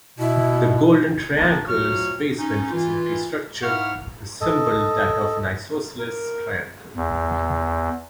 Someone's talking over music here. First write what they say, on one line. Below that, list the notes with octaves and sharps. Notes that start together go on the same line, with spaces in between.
The Golden Triangle's basement facility structure resembled that of an isosceles triangle.
B2 E4
F3 A#3 C4 D4
D2 A#2 F#3 F#4 C#6 F6
C#4 D#4
E3 F4
G#2 E4 F5 F#5 C#6 F6
A4 D#5
A#4
E2